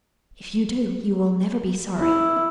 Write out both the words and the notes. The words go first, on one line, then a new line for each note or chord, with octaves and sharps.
If you do, you will never be sorry.'
E4